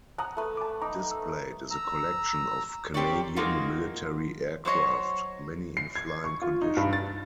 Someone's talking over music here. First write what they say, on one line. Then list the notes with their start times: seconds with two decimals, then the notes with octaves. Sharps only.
Displayed is a collection of Canadian military aircraft, many in flying condition.
0.18 F#5 A5 A#5 D#6
0.37 A3 B4
0.57 A5 D6
0.82 D#4 A#5 D6
1.11 E6
1.71 A#5 E6
2.94 C4 G4 A#4 C#5 D5
3.36 G#3 A#3 D#4 F4 F#4
4.65 F#3 C5 C#5 D#5
5.77 C7
5.95 G#6
6.24 C#6
6.42 F4
6.62 D#4
6.77 G2
6.93 A6